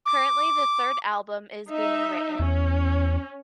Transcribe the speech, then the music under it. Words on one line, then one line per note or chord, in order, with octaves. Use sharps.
Currently the third album is being written.
D6
D#4 E5
E2 C#4